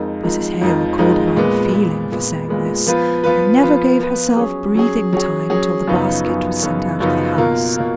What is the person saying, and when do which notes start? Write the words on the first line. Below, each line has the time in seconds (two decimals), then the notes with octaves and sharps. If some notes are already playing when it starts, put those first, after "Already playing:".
Mrs. Hale called her unfeeling for saying this; and never gave herself breathing-time till the basket was sent out of the house.
Already playing: F2 F3 G#3 D#4 A#4
0.23 F2 F3 G#3 D#4 A#4
0.61 F2 F3 G#3 D#4 A#4
0.98 F2 F3 G#3 D#4 A#4
1.36 A#2 G#3 B3
1.73 A#2 G#3 B3
2.12 A#2 G#3 B3
2.49 A#2 G#3 B3
2.87 F3 B3 F4 B4
3.24 F3 B3 F4 B4
3.62 F3 B3 F4 B4
3.99 F3 B3 F4 B4
4.37 F#3 C#4 G#4
4.74 F#3 C#4 G#4
5.12 F#3 C#4 G#4
5.50 F#3 C#4 G#4
5.87 F#2 C#3 F3 B3 D#4
6.25 F#2 C#3 F3 B3 D#4
6.62 F#2 C#3 F3 B3 D#4
7.00 F#2 C#3 F3 B3 D#4
7.38 B2 A#3 F4 A#4
7.76 B2 A#3 F4 A#4